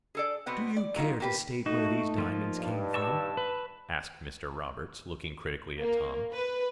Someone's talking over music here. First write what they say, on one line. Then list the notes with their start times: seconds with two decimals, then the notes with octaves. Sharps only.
"Do you care to state where these diamonds came from?" asked Mr. Roberts, looking critically at Tom.
0.15 G#4 A4 D5
0.46 B2 B3 C4 F#5
0.76 D5
0.96 F#3 A#3 D#4 F4
1.20 A#3 G4 B4
1.66 A3 D#4 F#4
2.18 F3 A#3 F4
2.55 G2
2.94 A5 C#6 E6
3.37 B4
5.80 A#3
6.33 B4